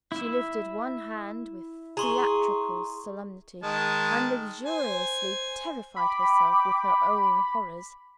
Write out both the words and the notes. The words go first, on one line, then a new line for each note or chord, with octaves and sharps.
She lifted one hand with theatrical solemnity--and luxuriously terrified herself with her own horrors.
E4 E5
G#4 A#5 C6 C#6
D#3 G#3 A5
C5 G#5
G5 B5 D6